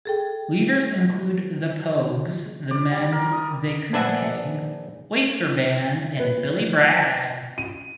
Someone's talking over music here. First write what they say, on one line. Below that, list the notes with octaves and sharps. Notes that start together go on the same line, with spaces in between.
Leaders included The Pogues, The Men They Couldn't Hang, Oyster Band and Billy Bragg.
G#4 A4 G5
D5
G3
A#4
D#6
A#1 D4 B4 E5 F#5 G#5
B4
D#7